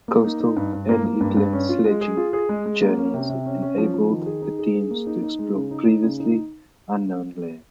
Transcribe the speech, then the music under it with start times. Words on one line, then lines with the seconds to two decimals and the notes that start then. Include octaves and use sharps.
Coastal and inland sledging journeys enabled the teams to explore previously unknown lands.
0.08 A#3
0.24 D#4
0.40 D#4
0.57 G2
0.73 G2
0.89 A#3
1.05 A#3
1.21 G2
1.37 G2
1.53 C#4
1.69 F4
1.85 G#3
2.01 G#4
2.17 F4
2.33 G#4
2.49 G#3
2.66 G#3
2.82 A#3
2.98 C#4
3.14 C3
3.30 C3
3.46 C#4
3.62 C#4
3.78 F3
3.94 F3
4.10 D#3
4.26 G#4
4.42 D#4
4.59 G#4
4.75 G#4
4.91 A#3
5.07 D#4
5.23 D#4
5.39 G#3
5.55 C#3
5.71 D#4
5.87 D#4
6.03 C#3
6.20 D#4